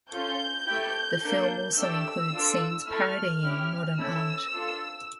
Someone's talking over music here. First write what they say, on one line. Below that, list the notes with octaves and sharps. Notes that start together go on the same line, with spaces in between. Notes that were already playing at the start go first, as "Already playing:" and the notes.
The film also includes scenes parodying modern art.
C#4 F4 A4 G6
A3 E4 G4
A#3 D4 A4
A3 D4 G4 E6
D4 F4 A4
A3 E4 A4 F6
C#4 E4 G4
C#4 E4 A4 E6
D4 F4 A4